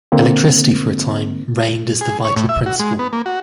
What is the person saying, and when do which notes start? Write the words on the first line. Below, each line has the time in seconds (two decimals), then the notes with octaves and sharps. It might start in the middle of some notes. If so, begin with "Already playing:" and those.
Electricity for a time, reigned as the vital principle.
0.12 D3 A#3 C4
2.01 G#4
2.25 C#5
2.36 A2
2.49 E5
2.66 F#4
2.80 G#3
2.99 B3
3.13 A#3
3.26 F#4